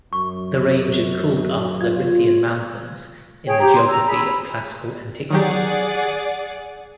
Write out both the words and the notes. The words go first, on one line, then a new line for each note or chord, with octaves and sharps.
The range is called after the Riphean Mountains in the geography of classical antiquity.
F#2 C#6
F4 G#6
G#4 C#5 G5
G4 A#5
C6
A#5 E6
G#4 B5
D#3 F#3 G4 G#4 D5 F#5